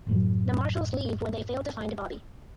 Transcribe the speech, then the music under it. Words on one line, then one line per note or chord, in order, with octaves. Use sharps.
The Marshals leave when they fail to find Bobby.
F#1 A2 F#3